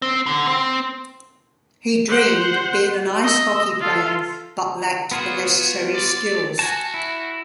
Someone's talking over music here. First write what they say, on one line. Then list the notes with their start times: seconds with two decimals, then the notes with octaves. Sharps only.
He dreamed of being an ice hockey player but lacked the necessary skills.
0.02 C4
0.26 D3
0.47 C4
2.09 C5 F#5
3.23 D#5 E6
3.81 F4 A4
5.11 B3 F4 F#4 G#4
5.60 G#5
5.94 D5
6.59 F#4 G#5 A5
6.94 E4